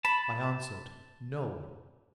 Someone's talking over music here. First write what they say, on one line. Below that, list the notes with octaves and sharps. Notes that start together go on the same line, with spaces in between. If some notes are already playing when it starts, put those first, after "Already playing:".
I answered, No.
A5 B5